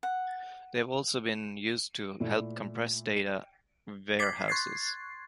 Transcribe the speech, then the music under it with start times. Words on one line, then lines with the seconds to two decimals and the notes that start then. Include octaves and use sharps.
They have also been used to help compress data warehouses.
0.03 F#5
2.20 A#2 A3 E4
4.19 D6 G#6 A6 B6 C7
4.48 C6 C#6 F#6 G#6 A6 C7